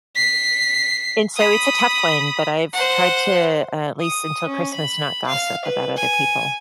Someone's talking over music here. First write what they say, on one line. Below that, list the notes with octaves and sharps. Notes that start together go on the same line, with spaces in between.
and so, it's a tough one, but I've tried to uh, at least until Christmas, not gossip about other people.
B6 C7
B5 D#6
C5 F#5
D#6
C#4
B5
F5
B4
G#5